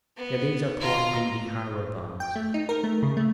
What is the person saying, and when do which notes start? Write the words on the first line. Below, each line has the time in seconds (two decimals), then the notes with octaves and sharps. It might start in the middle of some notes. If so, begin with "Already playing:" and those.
Now these are Port Breedy Harbor bonds.
0.17 B3
0.80 F4 A#5
2.20 G5
2.36 A3
2.54 D#4
2.69 A#4
2.84 A3
3.03 C#3
3.17 A3